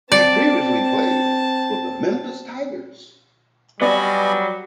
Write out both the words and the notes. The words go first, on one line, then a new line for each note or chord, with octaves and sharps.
He previously played for the Memphis Tigers.
C4 D5 A5
F#3 G3 B3 F#4 D5 D#5 G#5 B5